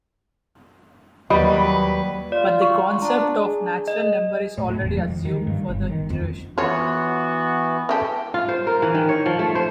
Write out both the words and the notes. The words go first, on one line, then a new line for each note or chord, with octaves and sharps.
But the concept of natural number is already assumed for the iteration.
D#2 F#3 G3 B4 D#5 B5 D#6
F4 D5
C#6
D4 A#5
G#4
D#5
A2
A2
E1
F2
D#3
G2
G1
D#3
F2
E3 B3 F4 F#4 C#5
E3 G4 A4
F4
C5
A#4
E3
D#3
C#5
F3
A3
C5